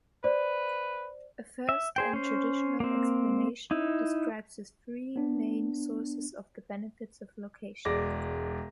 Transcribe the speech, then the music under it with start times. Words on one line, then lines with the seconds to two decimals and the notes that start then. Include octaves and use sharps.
A first and traditional explanation describes the three main sources of the benefits of location.
0.24 B4 C5 D5
1.69 E5
1.96 G#4 C5 G5
2.13 C#4 C5
2.80 A#3 C4
3.71 D#4 E4
5.16 B3 D4
7.85 E1 G#3 D5 D6 A#6